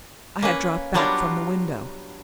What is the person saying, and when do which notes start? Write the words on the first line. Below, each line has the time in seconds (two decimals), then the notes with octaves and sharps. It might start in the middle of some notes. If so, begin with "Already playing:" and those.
I had dropped back from the window.
0.42 A#3 C#4 B4
0.94 F#3 G3 B3 D4 F4 A#4